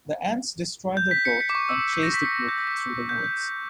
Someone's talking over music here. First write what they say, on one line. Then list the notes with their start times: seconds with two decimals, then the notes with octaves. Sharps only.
The ants destroy their boat and chase the group through the woods.
0.97 G6
1.11 B6
1.25 C#7
1.41 B6
1.50 D6
1.55 C#6
1.69 E6
1.94 B6
2.03 A#6
2.14 B6
2.25 C#7
2.49 G6
2.58 A#6
2.67 B6
3.09 G6
3.24 G6